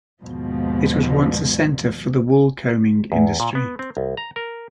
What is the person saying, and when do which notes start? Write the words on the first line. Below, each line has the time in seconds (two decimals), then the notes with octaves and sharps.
It was once a centre for the woolcombing industry.
0.22 D#2 G#2 B2 F3
3.12 E2
3.40 A#2
3.55 B3
3.79 C4
3.97 C2
4.17 A#5
4.36 A#4